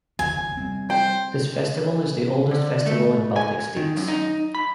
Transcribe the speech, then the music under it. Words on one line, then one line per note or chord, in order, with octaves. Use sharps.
This festival is the oldest festival in Baltic states.
F#1 D#2 F3 G#5
G3 C4
C5 G5
D3
A3
G#5
D#3
F#2
D#4
B5